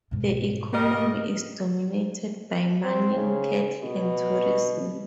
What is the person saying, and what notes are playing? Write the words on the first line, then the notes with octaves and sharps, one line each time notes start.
The economy is dominated by mining, cattle, and tourism.
G#2 B2
G3 A#4 D#5
C4
C#3
B2